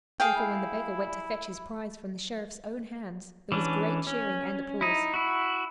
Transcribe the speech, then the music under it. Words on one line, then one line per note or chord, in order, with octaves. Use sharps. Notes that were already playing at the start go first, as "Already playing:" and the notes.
Therefore, when the beggar went to fetch his prize from the Sheriff's own hands, there was great cheering and applause.
G#4 F5 G5
E4
E3 C#4 D4
C#4
D#4 E4
E4 F#4